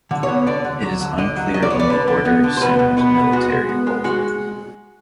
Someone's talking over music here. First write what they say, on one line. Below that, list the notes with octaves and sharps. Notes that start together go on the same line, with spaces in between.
It is unclear when the Order assumed a military role.
D3
C#5
B3
D3 D5
D3
F#3
D3
D3 D#5
F#3
F#3 D#5
D5
B3 C#5
D5
D3 B4
D3
B3
D3
C5
B2 B4
B2
B3 B4
B2
G#3 F#4
G#3
B3
G#3
G#3 F#4